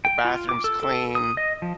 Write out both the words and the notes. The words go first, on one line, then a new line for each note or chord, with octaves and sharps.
the bathroom's clean,
G5
F4
D6
A4
A4
D#6
D#5
F3